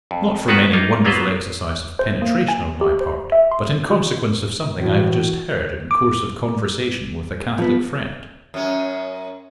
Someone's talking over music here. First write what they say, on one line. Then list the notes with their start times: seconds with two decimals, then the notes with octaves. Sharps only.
Not from any wonderful exercise of penetration on my part, but in consequence of something I have just heard in course of conversation with a Catholic friend.
0.11 F2
0.48 D#3 B3 C#4 F4 F#4 B4
0.73 A#3 D#4 F4
1.05 F#3 A#3 B3 F4 B4 C5
1.99 C5
2.22 A#3
2.48 G#5
2.81 G4
3.01 C5
3.32 E5
3.52 C6
3.90 F#4
4.80 A2 E3 F#4
5.91 D6
7.59 F3 B3
8.54 F#2 C#4